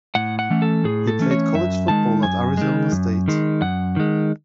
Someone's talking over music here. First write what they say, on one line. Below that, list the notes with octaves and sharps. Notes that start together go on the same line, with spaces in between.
He played college football at Arizona State.
A2 F#5
F#5
E3 A3 C#4
A4
A2 G#4
A4
E3 A3 C#4
C#5
F#2 E5
D#3 G#3 A5
F#2 G#5
D#3 G#3
F#2
D#3 G#3
F#2 F#5
D#3 G#3